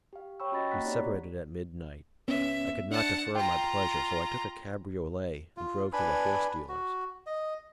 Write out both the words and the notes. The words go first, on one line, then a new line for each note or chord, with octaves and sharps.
We separated at midnight. I could not defer my pleasure, so I took a cabriolet and drove to the horse dealer's.
G4 F5
C#5 G5 B5 C#6 E6
C#4 F#4 D#5 B5 A6 A#6
A#3 F#5 A#5 F#6 B6
C4 D#4 G4 C#5 D5
C#2 B3 C#4 E5
D4 F#5 A5
F4 G5 A#5
F4
D4 B4 G#5 B5
F#4
D#5